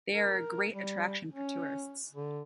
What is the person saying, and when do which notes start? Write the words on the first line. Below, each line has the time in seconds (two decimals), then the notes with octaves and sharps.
They are a great attraction for tourists.
0.13 A#4
0.72 G3
1.33 C#4
2.15 D3